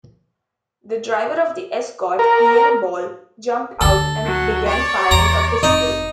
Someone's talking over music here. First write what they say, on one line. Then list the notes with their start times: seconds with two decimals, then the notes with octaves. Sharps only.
The driver of the Escort, Ian Ball, jumped out and began firing a pistol.
2.19 A#4
3.81 D2 D3 A4
4.25 F#3
4.68 C#5 D5
5.11 E2 A#5
5.63 F1 D#4